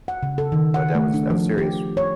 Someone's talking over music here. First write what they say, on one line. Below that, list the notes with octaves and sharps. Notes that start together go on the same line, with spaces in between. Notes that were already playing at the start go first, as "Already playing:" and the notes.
But that was that was serious.
F#5
C#3
A4
D#3
F#5
A3
D4
F3
G4
C#5